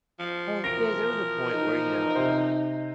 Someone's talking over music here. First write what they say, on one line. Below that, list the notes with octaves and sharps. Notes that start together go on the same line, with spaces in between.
Um, yeah, there was a point where, y you know,
F3
B2 E3 F3 A#4 A#6 D7
D#4
C3 C5